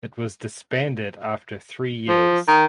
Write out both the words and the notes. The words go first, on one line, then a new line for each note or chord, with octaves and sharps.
It was disbanded after three years.
F3
D#3